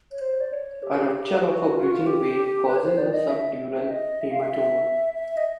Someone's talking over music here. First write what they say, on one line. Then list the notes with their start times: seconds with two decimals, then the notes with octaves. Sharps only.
A rupture of a bridging vein causes a subdural hematoma.
0.12 C#5
0.21 C5
0.41 D5
0.53 C#5
0.83 G4
1.45 F#4
1.75 F4
1.83 F#4
1.91 F4
2.06 G4
2.67 B4
2.75 C#5
2.83 C5
2.98 D5
3.14 D#5
3.29 E5
3.70 E5
3.90 D#5
4.21 E5
4.30 F5
4.40 E5
4.52 E5
5.14 E5
5.37 D#5